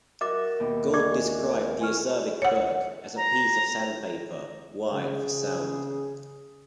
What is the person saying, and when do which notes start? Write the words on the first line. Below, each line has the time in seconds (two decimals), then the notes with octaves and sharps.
Gould described the acerbic Burke as a piece of sandpaper wired for sound.
0.21 F#4 A#4 D#5 E5 D6
0.60 D#2 B2
0.94 C#4 G4 D5 F#5 D6
1.80 G#5 C#6 F6
2.42 C#5 F#5
3.16 A#5
4.92 C#3 G#4